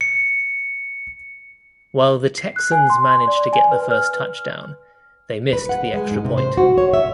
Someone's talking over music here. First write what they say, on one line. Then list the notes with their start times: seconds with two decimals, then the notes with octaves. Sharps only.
While the Texans managed to get the first touchdown, they missed the extra point.
0.01 C#7
2.38 C7
2.56 F#6
2.72 G#5
2.90 C6
3.28 D5
3.53 G#5
3.71 B4
3.91 F6
5.53 B4
5.69 F#5
5.94 G#3
6.11 G#2
6.25 C3
6.38 C5
6.58 F#4
6.78 C#5
6.94 E5